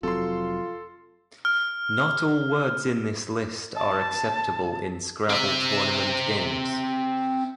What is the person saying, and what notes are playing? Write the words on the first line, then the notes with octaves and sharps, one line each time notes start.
Not all words in this list are acceptable in "Scrabble" tournament games.
F1 F#3 C4 F4 A4 C6
F6
A5
C4 E5